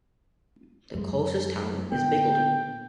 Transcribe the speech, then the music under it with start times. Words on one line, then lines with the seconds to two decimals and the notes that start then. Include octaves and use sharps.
The closest town is Bickleton.
0.95 F#2 G#3
1.92 A#2 D3 B3 G5